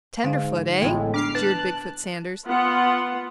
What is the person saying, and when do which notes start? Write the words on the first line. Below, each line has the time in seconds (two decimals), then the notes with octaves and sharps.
"Tenderfoot, eh?" jeered Big-foot Sanders.
0.24 G#2 D3 F5
0.82 A1 A2 G#3 B3
1.14 D4 D6 F6 C7
1.35 B4 A5 F#6
2.46 B3 F4 F#5